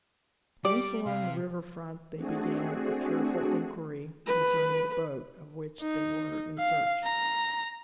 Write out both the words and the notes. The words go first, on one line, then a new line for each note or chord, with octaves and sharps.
Once along the river front they began a careful inquiry concerning the boat of which they were in search.
G3 G4 D5 D6
C3 F5
A3 C4 D4 F#4 G#4
B4
D#4
F5
A#5